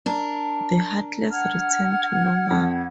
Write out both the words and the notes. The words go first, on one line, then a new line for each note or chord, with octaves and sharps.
The Heartless return to normal.
D4 A#4
F#5 F6 G#6
F2